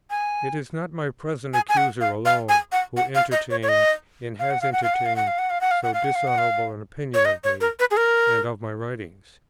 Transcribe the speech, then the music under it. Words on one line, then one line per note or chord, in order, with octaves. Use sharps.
It is not my present accuser alone who entertains, and has entertained, so dishonourable an opinion of me and of my writings.
G#5
G#5
G#5
F#5
F5
F5
G#5
F#5
F#5
F5
D#5
C#5
C#5
D#5
F5
F#5
F5
F#5
F5
F#5
F5
F#5
F5
F#5
F5
F#5
F5
F#5
F5
F#5
F5
F#5
F5
C#5
D#5
C#5
A#4
B4
G#4
A#4